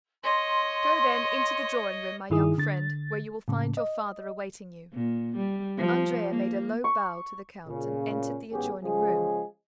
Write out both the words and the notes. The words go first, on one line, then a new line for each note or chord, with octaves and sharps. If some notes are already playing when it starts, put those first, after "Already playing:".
"Go, then, into the drawing-room, my young friend, where you will find your father awaiting you." Andrea made a low bow to the count, and entered the adjoining room.
C#5 D#5 C6
G2 D#3 E4 G#4 D#6
D3 A6
A2 C#3
D#5
A#2
G3
F3
A#3
C#6
A#2 C#3
A1 G#2 B3 C#4 G4 G#4
C#3 F3 G#3 C#4 G#4